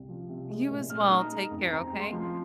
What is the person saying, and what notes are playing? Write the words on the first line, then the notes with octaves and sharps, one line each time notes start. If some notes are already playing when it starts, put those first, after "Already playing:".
You as well. Take care, okay?
Already playing: C2
F3
C3
G#3
A#2
G#3 F6
D#6
D#4
A#5
G#3
F2
C4 A#5
G#3
C6
F3